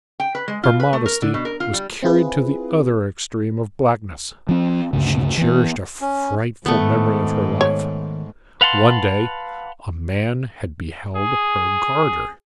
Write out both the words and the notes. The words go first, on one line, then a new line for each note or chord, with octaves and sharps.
Her modesty was carried to the other extreme of blackness. She cherished a frightful memory of her life; one day, a man had beheld her garter.
G5
B4
G#3
F4
B4
A3
A#4
D3
B2
A#4
F4
G3
C4 E4 F4 G#4 B4
F3 C4
D2 G2 C#3
E3 B3
C#4
G#2 D#3 A3 B3
C#5
B4 F5 F#5 A5 C6
G#4